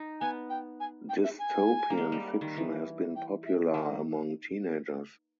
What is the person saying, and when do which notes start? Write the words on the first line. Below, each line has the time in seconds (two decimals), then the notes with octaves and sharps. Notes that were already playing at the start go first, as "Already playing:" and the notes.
Dystopian fiction has been popular among teenagers.
Already playing: D#4
0.20 B3 G#5
0.49 G5
0.80 G#5
1.09 G5
1.24 E5
1.39 G#5
1.90 A#3
1.98 G#3
2.12 G3
2.41 D#3
2.57 E3
3.16 G5
3.45 E5
3.74 D#3 E5